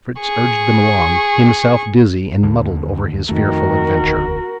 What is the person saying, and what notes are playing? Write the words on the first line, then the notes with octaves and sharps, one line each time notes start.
Fritz urged them along, himself dizzy and muddled over his fearful adventure.
G#4 C#6
D#2 D3
F2 D#3 A3 F#4 A#4
E1 D2